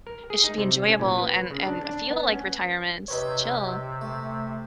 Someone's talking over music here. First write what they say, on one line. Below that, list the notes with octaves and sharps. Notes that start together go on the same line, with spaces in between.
It should be enjoyable and and feel like retirement. Chill.
A#4
G#4
D#4
C3
C#4
A#2
B4
C#3
D4
D4
B3
C#4
C3 D#4 B4 C#5
A3